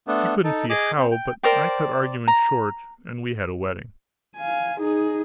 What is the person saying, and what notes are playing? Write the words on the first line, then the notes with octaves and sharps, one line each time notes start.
She couldn't see how, but I cut argument short and we had a wedding.
A3 B3 D4
D#4 A4
G#4 D#5 D6
C4
G5
A#4 C5 D5 G5
A#5
F5 G#5
D#4 G#4